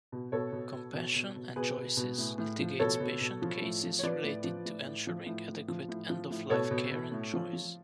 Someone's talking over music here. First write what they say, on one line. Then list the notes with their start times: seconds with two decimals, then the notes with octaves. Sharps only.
Compassion and Choices litigates patient cases related to ensuring adequate end-of-life care and choice.
0.12 B2
0.32 B2 A4 C#5
0.52 B2
0.73 B2
0.94 B2
1.15 B2
1.36 B2
1.56 B2 G#4 B4
1.77 B2
1.97 B2
2.18 A2
2.38 A2
2.59 F3
2.79 B2 A4 C#5
3.00 B2
3.21 B2
3.42 F3
3.62 A2
3.83 F3
3.99 C#5
4.03 F3 B4 D5
4.24 A2
4.44 F3
4.65 A2
4.86 A2
5.07 F3
5.26 A2
5.48 A2
5.68 F3
5.89 A2
6.10 F3
6.30 A2
6.50 B2 A4 C#5
6.71 B2
6.91 B2
7.12 A2
7.34 F3
7.53 F3